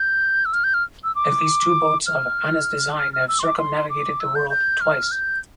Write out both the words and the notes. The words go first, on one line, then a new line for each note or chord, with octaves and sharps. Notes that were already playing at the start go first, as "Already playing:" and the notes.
At least two boats of Hanna's design have circumnavigated the world twice.
Already playing: G6
E6
F6
G6
F6
E6
D6
F6
F6
F6
E6
C6
D6
C6
D6
E6
G6
G6
F6
G6